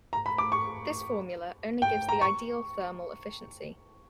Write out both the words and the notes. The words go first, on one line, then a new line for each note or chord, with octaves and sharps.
This formula only gives the ideal thermal efficiency.
A#5
B5
D6
C#6
G5
A#5
C#6